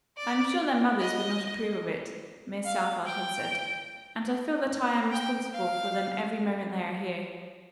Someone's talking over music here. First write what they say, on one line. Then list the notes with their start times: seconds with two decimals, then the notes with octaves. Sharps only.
"I am sure their mothers would not approve of it," Miss Southard had said, "and I feel that I am responsible for them every moment they are here."
0.17 D5
1.00 D#5
2.65 F5
3.06 G5
5.11 G5
5.53 F5